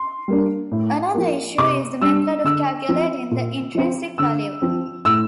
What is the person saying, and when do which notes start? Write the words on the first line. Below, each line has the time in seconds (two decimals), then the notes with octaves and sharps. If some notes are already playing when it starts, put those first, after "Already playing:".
Another issue is the method of calculating the "intrinsic value".
Already playing: C6
0.28 G3 A#3 D4
0.72 A2
1.14 F3 A#3
1.58 C3 D6
2.02 G3 D4 E6
2.44 D3 E6
2.89 F3 C4
3.31 A#2
3.75 F3 C4
4.18 D3 E6
4.62 F3 C4
5.05 A2 E6